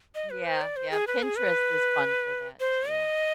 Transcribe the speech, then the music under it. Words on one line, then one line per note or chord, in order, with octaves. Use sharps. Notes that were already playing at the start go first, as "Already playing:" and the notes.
Yeah. Yeah, Pinterest is fun for that too.
D#5
B4
C5
D5
C5
G#4
B4
G#4
B4
C5
D#5